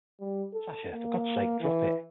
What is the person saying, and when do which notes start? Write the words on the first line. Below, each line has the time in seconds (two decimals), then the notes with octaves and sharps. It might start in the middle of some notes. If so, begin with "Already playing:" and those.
Sasha, for God's sake, drop it!
0.20 G3
0.53 A4
0.93 A#3
1.60 E3